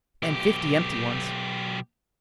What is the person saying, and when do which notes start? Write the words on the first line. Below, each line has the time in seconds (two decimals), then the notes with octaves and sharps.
"And fifty empty ones."
0.23 B1 G4